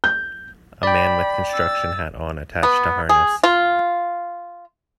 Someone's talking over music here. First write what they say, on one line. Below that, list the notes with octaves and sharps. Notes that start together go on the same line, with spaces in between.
A man with construction hat on attached to harness.
G6
D5 G5 B5
E6 A6
B3
G#4
F4